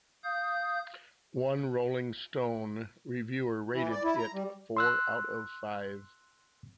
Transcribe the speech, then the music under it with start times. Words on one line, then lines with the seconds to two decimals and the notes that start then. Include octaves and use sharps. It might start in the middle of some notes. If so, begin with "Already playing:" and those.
One "Rolling Stone" reviewer rated it four out of five.
0.24 F5 D#6 G6
3.74 E3
3.91 D5
4.04 E4
4.18 A#5
4.34 G3
4.77 C6 E6 F#6